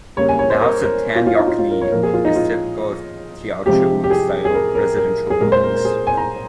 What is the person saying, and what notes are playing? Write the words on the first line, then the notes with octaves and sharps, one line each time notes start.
The House of Tan Yeok Nee is typical of Teochew-style residential buildings.
C#3 G3 A#3 C#5
G#5
C#5
C5
A#4
A#4
F4
F4
D#4
F4
F4
A#4
C#5
A#2 F3 A#3 A#4
G#4
F4
D#4
F4
C3 F3 G#3 G4
G4
G#4
G#4
A#4
A#4
A#4
G#4
A#2 G#3 A#4
C5
A#4
A#4
G#4
G#5
A#5